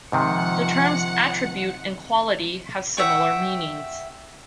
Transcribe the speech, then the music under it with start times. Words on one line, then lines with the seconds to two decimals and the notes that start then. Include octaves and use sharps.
The terms attribute and quality have similar meanings.
0.12 G#2 C3 D#3 F3 F#5 C#7
2.97 E5 F#5 G5 C#6